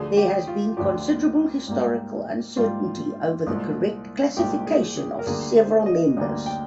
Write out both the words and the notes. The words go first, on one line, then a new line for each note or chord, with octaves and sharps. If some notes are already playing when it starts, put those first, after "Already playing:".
There has been considerable historical uncertainty over the correct classification of several members.
Already playing: D2 D3 F3 G#4
G4
F4
D2 D3 F3 G4
G#2 G3 A#3
G#2 G3 A#3 F4
C2 A#2 G#3
C2 A#2 G#3 G4
G#4
G#4
A#4
D2 D3 G3 A#3 G#4
C5
D#5
D2 D3 G3 A#3
G5